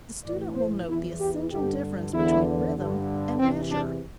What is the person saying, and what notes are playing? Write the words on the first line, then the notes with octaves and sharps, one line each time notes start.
The student will note the essential difference between rhythm and measure.
A2 E3 D5
C5
E2 E3 E4
G4
G2 D3 G4
E2 D3 E4
G2 D3
E2 C3 E3 C4
D4